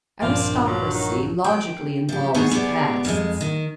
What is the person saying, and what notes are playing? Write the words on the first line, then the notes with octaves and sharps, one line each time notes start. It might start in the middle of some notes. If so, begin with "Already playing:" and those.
Aristocracy logically involves castes.
A#1 G2 A#2 C4 D4 F4
D3 F3 F#3
D#3 F#3
G5
F3 G4
D#3 B3 F#4 G#4 C#5
B3 G4 G#4 D5
F2 G#3
D#3